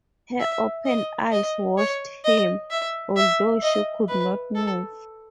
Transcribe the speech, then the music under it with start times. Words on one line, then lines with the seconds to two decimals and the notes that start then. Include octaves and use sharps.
Her open eyes watched him, although she could not move.
0.40 E5
0.86 D#5
1.32 D#5
1.78 C#5
2.25 D#5
2.70 E5
3.17 E5
3.63 D#5
4.08 B4
4.55 A4